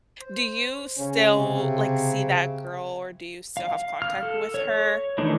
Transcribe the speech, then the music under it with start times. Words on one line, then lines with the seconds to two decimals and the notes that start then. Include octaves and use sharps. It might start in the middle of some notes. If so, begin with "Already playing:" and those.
Do you still, like, see that girl, or do you still have contact with her?
0.20 C5
0.98 C#3 C#4
1.37 C3
3.57 F5
4.02 F6
4.23 A4
4.54 C#5
5.18 D#3 E3 A3 D4 D#4